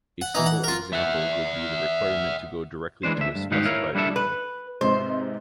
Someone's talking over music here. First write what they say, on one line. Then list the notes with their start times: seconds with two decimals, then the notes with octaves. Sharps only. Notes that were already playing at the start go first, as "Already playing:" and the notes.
A simple example would be the requirement to go directly to a specified room.
0.21 F#5
0.35 E3 D#4
0.46 F#5
0.64 F4 A#4
0.93 E5 F#5
3.03 E3 G#3 D4 C5
3.17 D2 E5
3.36 G2
3.51 G#2 D#3 D#4 F#4 G4 F5
3.65 E4 A#4 C#5 F5
3.95 G3 D4 E4 A4 E5
4.16 B4
4.81 G#2 C3 D#4 C5